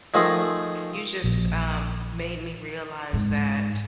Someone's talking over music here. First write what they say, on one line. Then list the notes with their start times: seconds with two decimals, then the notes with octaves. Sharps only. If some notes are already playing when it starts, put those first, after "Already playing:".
you just, um, made me realize that,
0.14 D#3 F3 A3 D#4 G#4
1.24 A#1
3.13 G#2